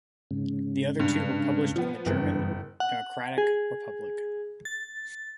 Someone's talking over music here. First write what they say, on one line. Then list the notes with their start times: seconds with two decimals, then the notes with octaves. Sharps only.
The other two were published in the German Democratic Republic.
0.31 G#2 C#3
1.00 G2
1.76 F3 B3
2.06 F#1 G2 E3 B3
2.80 F#5
3.38 G#4
4.65 A6